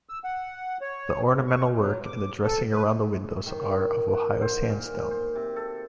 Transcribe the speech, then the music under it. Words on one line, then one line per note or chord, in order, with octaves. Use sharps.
The ornamental work and the dressing round the windows are of Ohio sandstone.
E6
F#5
C#5
G#2
C#6
F#3
D6
A4
B4
D#3
F#5
C5
A#2
C5
C3
A4